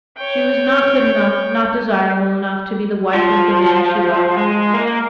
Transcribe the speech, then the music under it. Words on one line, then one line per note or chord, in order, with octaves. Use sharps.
She was not good enough, not desirable enough, to be the wife of the man she loved.
C#5 G5
F3
G#3
A#3